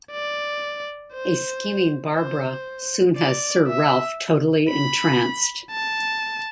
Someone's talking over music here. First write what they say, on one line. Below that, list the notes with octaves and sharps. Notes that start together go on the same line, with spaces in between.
A scheming Barbara soon has Sir Ralph totally entranced.
D5
C5
C5
D5
E5
B5
A5